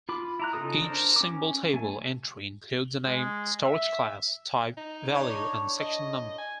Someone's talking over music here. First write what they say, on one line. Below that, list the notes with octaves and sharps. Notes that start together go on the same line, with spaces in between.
Each symbol table entry includes a name, storage class, type, value and section number.
F4 B5 D6
E4 A#5 F#6
C#3 D#4 F4 A4 D#6
D4 A#4 C5
C#4 D6
A3 G#5
G#3
E5
D#4
A2 D4 C#5
D#5
G#5